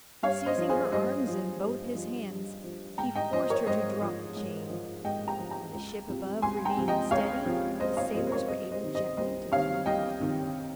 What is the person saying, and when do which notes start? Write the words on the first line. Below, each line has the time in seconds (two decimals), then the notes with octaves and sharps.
Seizing her arms in both his hands, he forced her to drop the chain, and the ship above remaining steady, the sailors were able gently to float her off the rock.
0.23 G2 C#5 F5
0.46 C5 D#5
0.58 F3
0.69 G#4 C5
0.92 G2 C5 D#5
1.27 F3
1.61 G2
1.95 F3
2.30 G2
2.64 F3
2.98 G#2 G5 A#5
3.15 D#5 G5
3.33 F3 C5 D#5
3.50 A#4 C#5
3.67 G#2 C5 D#5
4.01 F3
4.37 G#2
4.70 F3
5.05 G#2 D#5 G5
5.28 G5 A#5
5.39 F3
5.51 G5 A#5
5.74 C#2
6.08 C3 F3
6.42 C#2 G#5 C6
6.65 G5 A#5
6.77 C3 F3
6.88 D#5 G5
7.11 C#2 C#5 F5
7.46 C3 F3
7.80 C#2 C5 D#5
7.97 C#5 F5
8.14 C3 F3 C5 D#5
8.27 C5
8.31 A#4 C#5
8.48 C2 C5 D#5
8.72 C5 D#5
8.83 C3 D#3
8.95 C5 D#5
9.17 C2 C5 D#5
9.52 C3 D#3 C#5 F5
9.86 C2 D#5 G5
10.20 C3 D#3